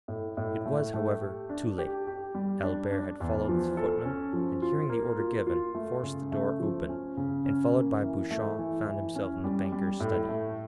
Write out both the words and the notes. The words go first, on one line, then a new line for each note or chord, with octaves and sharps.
It was, however, too late; Albert had followed the footman, and, hearing the order given, forced the door open, and followed by Beauchamp found himself in the banker's study.
A2
A2
A3
A3
G4
D4
G4
G4
G3
D4
D4
E2
F3
A4
C#4
F3
F4
A#3
F4
F4
A3
C#3
A3
F3
C#4
C#3
C#4
A#3
E3
A3
E3
E3
C#4
G3
G3
A2
A3